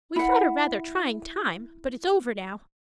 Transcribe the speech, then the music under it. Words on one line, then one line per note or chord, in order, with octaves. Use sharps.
We've had a rather trying time but it's over now.
E4 F#5